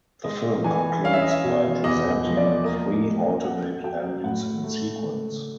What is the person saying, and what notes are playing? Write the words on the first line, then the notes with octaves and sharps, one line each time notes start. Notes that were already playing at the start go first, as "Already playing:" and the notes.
The film concludes by presenting three alternate endings in sequence.
G#3 D#5
E3 G#5
C#4 F5
E5
D#5
E5
B2
E2 D#5
D#5
F3
D5
A#3 D#5
A#3
F#3 F#5
F#3 G5
A2 F#5
A3